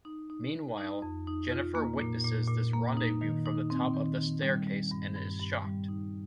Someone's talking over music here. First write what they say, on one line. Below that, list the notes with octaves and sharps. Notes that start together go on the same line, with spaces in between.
Meanwhile, Jennifer witnesses this rendezvous from the top of the staircase and is shocked.
D#4
D#4
D#4
D#4
F2
D#4
F4
A#3
A#2
A#2
A#2
A#3
D#4
D#3
D#4
C4
D#3
D#3
G3
G3
G2
G2
G2
G3
D#4